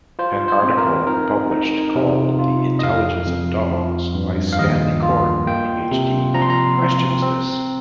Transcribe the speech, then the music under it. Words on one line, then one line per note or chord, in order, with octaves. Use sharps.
An article published called The Intelligence of Dogs by Stanley Coren, Ph.D. questions this.
F4 C5
C5
C4
A#4
D#4 A#4
D#4
C3
F4
D#5
F2 F5
F2
F3
G2
F5
D#2 D#5
F4
A#3 G5
C3
F3 A#5
C6
A#5
C4
C4